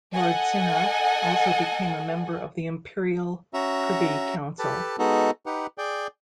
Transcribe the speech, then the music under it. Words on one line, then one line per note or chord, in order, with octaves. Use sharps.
Lord Sinha also became a member of the Imperial Privy Council.
A4 D#5 F#5 G#5
C#4 F#4 E5 A#5
G4 A4 B4 A5
G#3 B3 D#4 F#4 A4
D#4 G4 B4 F#5
G#4 D5 G5